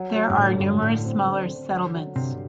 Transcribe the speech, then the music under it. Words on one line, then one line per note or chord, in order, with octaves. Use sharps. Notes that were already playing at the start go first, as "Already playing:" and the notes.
There are numerous smaller settlements.
Already playing: F#3 F#4
F#3
G2
A2 D3
G2 D3
A2 D3
C4
D3
D3
D3
F#3
G2 C3